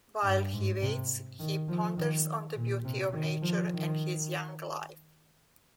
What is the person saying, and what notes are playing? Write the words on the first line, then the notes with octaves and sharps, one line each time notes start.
While he waits, he ponders on the beauty of nature and his young life.
G2
G#2
C3
D#3
F3
D#3
A#2
C3
D#3
F3
D#3